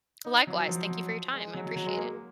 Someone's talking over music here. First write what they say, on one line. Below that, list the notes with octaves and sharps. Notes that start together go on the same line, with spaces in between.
Likewise, thank you for your time, I appreciate it.
D#4
F#3
F3
F#3
G#3
F#3
F#3
F#3
G#3
A#3